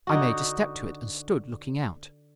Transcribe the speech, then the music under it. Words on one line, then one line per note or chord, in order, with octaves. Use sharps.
I made a step to it, and stood looking out.
D3 D#4 F#4